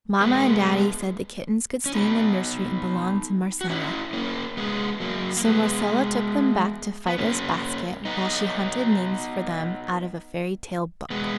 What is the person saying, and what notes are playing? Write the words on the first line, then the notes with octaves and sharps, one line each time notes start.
Mamma and Daddy said the kittens could stay in the nursery and belong to Marcella, so Marcella took them back to Fido's basket while she hunted names for them out of a fairy tale book.
G#3 B3
C#4
B3 D#4
F#4
C#4 E4
A#3 C#4
G#3 B3
F#3 A#3
A#3
G#3 B3
B3
A#3 C#4
B3 D#4
G#3 B3